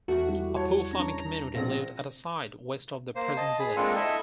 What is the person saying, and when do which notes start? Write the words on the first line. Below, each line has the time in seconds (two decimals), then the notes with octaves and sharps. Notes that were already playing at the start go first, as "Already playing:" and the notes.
A poor farming community lived at a site west of the present village.
0.08 E2 A3 F#4 A4
0.28 G3 E4 G4
0.56 C#5 A5
0.93 C#4 D4 A#5
1.20 A#5
1.54 A#1 B2 C4 F5 A#6
3.16 A#3 C5
3.37 D#5 A5
3.60 G#4 B5 D#6
3.76 G#3 A#3 C4 D4 F4 A4
3.96 E4 A4 D#5 E5